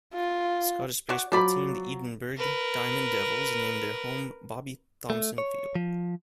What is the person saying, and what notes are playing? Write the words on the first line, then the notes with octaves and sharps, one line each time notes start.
Scottish baseball team, the Edinburgh Diamond Devils, named their home Bobby Thomson Field.
F4
F#4 C#5 D5
F3 F#3 D5 B5
A#4 B4
A3
C#5
F3